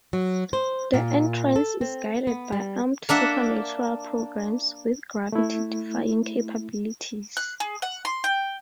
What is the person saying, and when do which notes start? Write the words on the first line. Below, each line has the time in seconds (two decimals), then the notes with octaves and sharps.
The entrance is guarded by armed supernatural programs with gravity-defying capabilities.
0.13 F#3
0.53 C5
0.94 A#2
1.56 A4
1.81 C4
2.27 B3
2.52 G3
3.09 A#3 D4 E5 F#5
5.32 A3 E4
7.37 F#6
7.60 G#4
7.82 F#5
8.05 C6
8.24 G5